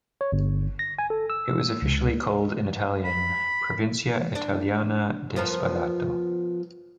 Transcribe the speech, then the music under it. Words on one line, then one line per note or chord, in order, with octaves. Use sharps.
It was officially called in Italian: "Provincia italiana di Spalato".
C#5
G1
A#6
G#5
A4
E6
C#2
B5
D4
F3 B3 A#4